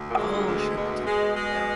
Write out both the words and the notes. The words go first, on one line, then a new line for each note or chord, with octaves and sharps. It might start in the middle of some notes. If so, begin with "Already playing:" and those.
Oh, shrimp étouffée, yeah.
Already playing: D2
A#2
G#3
A#2
D2
B2
G#3
G#3
G#3